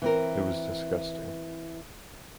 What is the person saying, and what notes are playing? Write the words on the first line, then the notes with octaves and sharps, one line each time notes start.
It was disgusting.
E3 C4 A#4